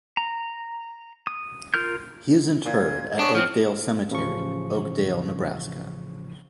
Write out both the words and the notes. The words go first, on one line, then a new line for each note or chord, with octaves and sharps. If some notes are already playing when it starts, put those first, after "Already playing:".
He is interred at Oakdale Cemetery, Oakdale, Nebraska.
A#5
D#6
F4 A#4 F6 G6
A#2 G#6
B3 C#4 D4 C#6
F3 C4 F6
A1 C#3 F3 C#6